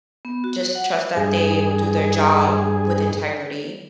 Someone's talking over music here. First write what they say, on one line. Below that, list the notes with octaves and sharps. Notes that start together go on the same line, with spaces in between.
Just trust that they will do their job with integrity
B3
F#4
F#5
G2 G#4